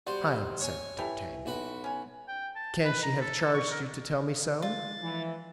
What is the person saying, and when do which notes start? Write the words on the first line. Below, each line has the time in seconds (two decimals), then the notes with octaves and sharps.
"HEIN!" said d'Artagnan, "can she have charged you to tell me so?"
0.07 G3 F#4 C5
0.60 C#5 G#5
0.98 E3 G4 A4
1.46 B1 F#4 B5
1.84 C#4 G#5
2.28 G5
2.56 A5
2.85 B4
3.03 A#5
3.21 A4
3.54 C#6
3.71 A#4
4.62 G#3 F4 A6
5.01 E3 F3